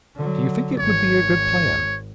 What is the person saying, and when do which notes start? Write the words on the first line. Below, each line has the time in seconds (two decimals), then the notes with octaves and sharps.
"Do you think it would be a good plan?"
0.16 D3 F#3
0.79 G#1 C#5